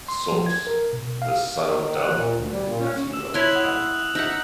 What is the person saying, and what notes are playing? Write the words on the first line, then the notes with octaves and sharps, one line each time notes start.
Source; the son of Dub and nephew of Ken.
C6
F3
G#6
A#4
B2
F5
D#3
D#3
F#5
A#2
D2
G3
A#2
C#4
E6 E7
E4 C#5 C6 F#6 G#6 B6 F7 F#7
F#5 D#6
D#4 E5 F#5